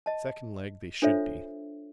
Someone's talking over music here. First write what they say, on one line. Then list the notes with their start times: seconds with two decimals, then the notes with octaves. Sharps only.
Secondleg they should be.
0.06 D#5 A5
1.02 D4 F4 A4 C5 C#5 E5